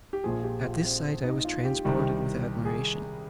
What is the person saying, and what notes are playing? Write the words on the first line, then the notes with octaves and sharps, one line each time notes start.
At this sight I was transported with admiration.
G4
A#1 A#2 F3 G#4
F4
G4
F4
C4
C4
D#4
F4
G4
C2 C3 D#3 G3
G#4